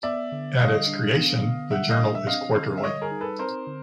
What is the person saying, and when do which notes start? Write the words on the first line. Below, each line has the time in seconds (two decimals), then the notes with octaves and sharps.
At its creation, the journal is quarterly.
0.03 B3 D5 E5
0.32 D3
0.59 G3 D#5 F5
0.87 D4
1.16 B3
1.44 D3
1.71 G3 E5 F#5
1.90 D#5 F5
1.99 D4
2.15 E5
2.27 C4 D#5 F5
2.55 D3
2.78 E5
2.83 G3 C#5 D#5
3.02 G#4 A#4
3.11 D#4
3.21 A4 B4
3.39 C4 A#4 C5
3.67 D3